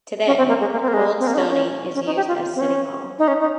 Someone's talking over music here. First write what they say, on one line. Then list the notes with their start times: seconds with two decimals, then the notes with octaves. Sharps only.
Today, Old Stoney is used as City Hall.
0.27 C#4
0.38 C4
0.49 A#3
0.60 G#3
0.72 A#3
0.82 C4
0.88 A#3
0.94 G#3
1.20 C4
1.27 A#3
1.34 D#4
1.38 C#4
1.49 C#4
1.95 C#4
2.06 D#4
2.16 G4
2.28 F4
2.56 C4
2.61 C#4
3.19 D#4
3.28 C#4
3.40 D#4